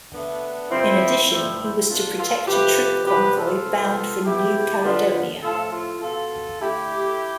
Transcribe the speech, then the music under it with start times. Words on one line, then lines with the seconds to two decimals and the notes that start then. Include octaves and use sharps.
In addition, he was to protect a troop convoy bound for New Caledonia.
0.11 D3 A3 B3 D4
0.70 G2 D3 F3 C4 E4
1.29 G2 D3 F3 A3 C4 E4
1.59 C4 E4
1.88 B2 B3 D4 F4
2.18 F4 A4
2.47 C3 F3 A3 G4 B4
3.06 C3 G3 B3 G4 B4
3.36 F4 A4
3.66 C3 F3 B3
4.24 B2 B3 E4 G4
4.83 D3 G3 B3 D4 F4
5.42 A2 F3 A3 F4 A4
5.72 F4 A4
6.01 B2 B3 F4 A4
6.60 D3 A3 E4 G4